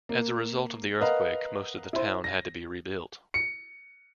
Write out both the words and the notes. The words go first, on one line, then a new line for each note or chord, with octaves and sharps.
As a result of the earthquake, most of the town had to be rebuilt.
A#3
A#4 B4 D#5 F5 F#5
E4 C5
A#6
C#7